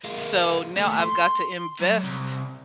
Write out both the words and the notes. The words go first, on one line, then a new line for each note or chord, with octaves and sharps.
so, now I've got to invest
G#3 A#3
D#2 A3
C6
F#3
C2